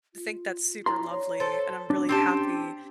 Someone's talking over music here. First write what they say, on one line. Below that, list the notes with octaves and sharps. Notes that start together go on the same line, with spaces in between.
think that's super lovely, and I'm really happy,
F4
E4 D5 A#5 C6
C#5
A4 C5
C#4 D4
C4 G4 A5